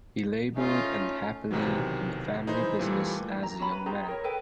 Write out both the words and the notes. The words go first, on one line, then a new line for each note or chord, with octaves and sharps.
He labored unhappily in the family business as a young man.
A3 C#4 D#4 F4
B1 C3 D#3 E3 F#3
E3 D#4 E4 G#4 C5
A#2 E3 G3 A3
A#5
C#4 A#5 B5
B4
F4 G4 G#4 A#5
G#4 A#4 C#5
A4 B4 G5